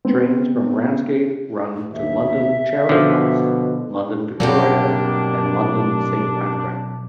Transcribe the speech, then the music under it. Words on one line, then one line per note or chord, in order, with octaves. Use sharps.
Trains from Ramsgate run to London Charing Cross, London Victoria and London Saint Pancras.
B3 C4
D#2 E5
B2 D3 F3
G2 B2 F#3 A#3 C4 D4 G4